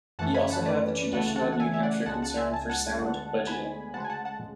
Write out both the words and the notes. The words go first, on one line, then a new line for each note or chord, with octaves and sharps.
He also had the traditional New Hampshire concern for sound budgeting.
F#2 E3 A3 C#4 F#5 A5
G#5 B5
F#5 A5
B4 D5
D2 C#3 E3 A3 F#5 A5
F#5 A5
F#5
E5 G#5
E5
D5 F#5
C#2 C#3 G#3 F#5 A5
F#5 A5
E5 G#5
A5
G#5
F#5 A5
D2 D3 G#3 B3
G#5 B5
D2 C#3 G#3 F#5 A5
G#5
F#5 A5
F#5 A5